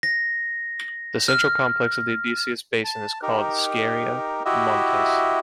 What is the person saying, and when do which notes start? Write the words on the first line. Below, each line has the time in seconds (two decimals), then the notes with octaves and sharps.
The central complex of the Odysseus basin is called Scheria Montes.
0.03 A#6
1.28 F6
2.84 A5
3.22 D#4 G4 A#4
4.45 E4 F#4 G4 D#5 E5